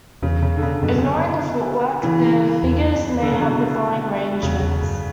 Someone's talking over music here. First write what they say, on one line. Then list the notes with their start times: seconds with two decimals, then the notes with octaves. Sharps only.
Ignoring the footwork, the figures may have the following arrangements.
0.23 E2 C#3
0.42 C#3
0.57 D3
0.62 C#3
0.83 F#2 B2 D3
2.03 C#3 E3
2.63 E2
2.93 F#2
3.22 D3
3.32 C#3
3.40 B2 D3
4.43 E2 C#3
4.63 E2
4.83 F#2